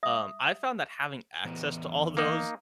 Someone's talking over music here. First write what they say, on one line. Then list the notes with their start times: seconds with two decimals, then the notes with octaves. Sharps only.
Um, I found that having access to all those
0.03 E5 D#6
1.45 E3 B3 C5
2.17 A#3 D#4